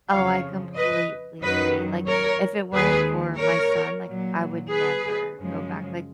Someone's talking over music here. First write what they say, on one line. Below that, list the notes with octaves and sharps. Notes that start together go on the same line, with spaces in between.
Oh, I completely agree. Like, if it weren't for my son, like, I would never go back, like,
F2 C#3 F3 C#5 F5
B4 D#5
F#2 D#3 F#3 B4 D#5
A#4 C#5
D#2 D#3 G#3 G#4 B4
A#4 C#5
A#2 F#3
G#4 B4
F#2 C#3 F3 G#3